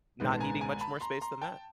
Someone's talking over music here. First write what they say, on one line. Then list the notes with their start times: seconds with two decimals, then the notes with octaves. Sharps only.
not needing much more space than that.
0.20 A#1 G#2 D#3 G#3 B3
0.32 A5
0.41 G#5 A#5
0.61 G#5 A#5
0.81 A5 B5
1.01 A#5 C6
1.21 A#5 C6
1.41 G5 A5